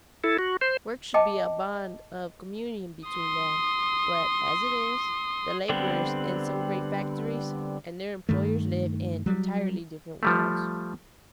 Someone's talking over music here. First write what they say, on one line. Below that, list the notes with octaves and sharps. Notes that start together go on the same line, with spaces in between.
Work should be a bond of communion between men, but as it is, the laborers in some great factories and their employers live in entirely different worlds.
E4 A4
F#4
C5
D#5 G5 A5 D6
C6 D#6
D3 G3 B3 C4
G2 D#3 A3
F#3 G3
F3 G3 A3